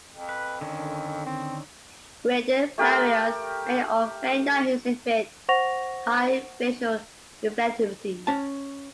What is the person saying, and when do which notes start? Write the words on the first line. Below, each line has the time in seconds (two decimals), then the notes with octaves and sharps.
Radiant barriers may or may not exhibit high visual reflectivity.
0.14 F2
0.29 B4
0.61 D3 D#3 C#4
1.26 C4
2.78 A3 G4 A#4
5.49 C5 F#5 C#6 A#6 F7
8.27 C#4 A5